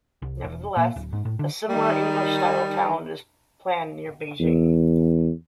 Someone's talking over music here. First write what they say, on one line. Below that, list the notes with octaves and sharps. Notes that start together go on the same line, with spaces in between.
Nevertheless, a similar English-style town is planned near Beijing.
C2
E1
A#2
D1
G#2
A2
D3
D#3 G3 D#4
E2